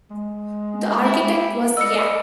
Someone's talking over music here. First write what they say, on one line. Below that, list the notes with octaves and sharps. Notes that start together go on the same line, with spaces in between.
The architect was Ya.
G#3
E4 G4
A#4 B4 D5 D#5 E6 C#7